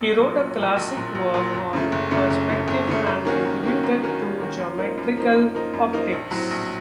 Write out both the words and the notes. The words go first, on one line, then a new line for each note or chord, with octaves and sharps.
He wrote a classic work on perspective and contributed to geometrical optics.
A#1
A#2 F#3
A#1
A#2 F#3
A#1
A#2 F#3
A#1
A#2 F#3
F#1
F#2 C#3 A3
F#1
F#2 C#3 A3
F#1
F#2 C#3 A3
F#1
F#2 C#3 A3
F#2
D#3 A#3 C#4 F#4
F#2
D#3 A#3 C#4 F#4
F#2
D#3 A#3 C#4 F#4
F#2
D#3 A#3 C#4 F#4
F#2
F3 A#3 D#4
F#2
F3 A#3 D#4
F#2
F3 A#3 D#4
F#2
F3 A#3 D#4
A#1
A2 F#3 C4
A#1